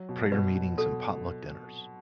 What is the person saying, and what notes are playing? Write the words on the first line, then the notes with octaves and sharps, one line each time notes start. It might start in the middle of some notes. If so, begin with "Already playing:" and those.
prayer meetings and potluck dinners.
Already playing: F#3
B2
B2 B4
B2
B2 A4